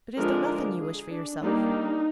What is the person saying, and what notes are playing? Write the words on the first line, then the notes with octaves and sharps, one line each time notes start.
But is there nothing you wish for yourself?'
D3 F3 G#3 D4 A#4
G#4
D4
G3 A#3 D4 D#4